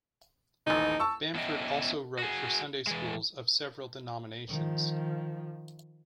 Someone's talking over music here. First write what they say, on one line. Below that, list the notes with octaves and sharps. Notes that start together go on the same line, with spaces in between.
Bamford also wrote for Sunday schools of several denominations.
D#1 A1 D#4
A5 C#6 E6
B3 C#4 D4 E4 D#5 G5
F#4 G#4
E3 G#3
D#3 F3